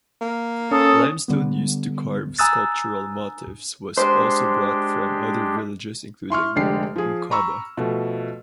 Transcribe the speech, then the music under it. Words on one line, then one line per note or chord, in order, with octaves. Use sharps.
Limestone used to carve sculptural motifs was also brought from other villages including Mqabba.
A#3
C#4 A4 D#6
D3 G3 B3
G#5 A#5 D#6 E6 F#6 A6
G#3 D4 G4 C5
E4 C6 C#6 F6
F1 D3 G#3 D4 G4 C7
F3 G#4
A#5 B5 C#6 E6
B2 F3 A3